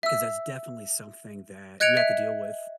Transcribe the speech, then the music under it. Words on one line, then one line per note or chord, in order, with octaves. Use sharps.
'cause that's definitely something that you have to deal with,
E5 E6
D#5 F#6 G#6 C#7 D7 F7
E5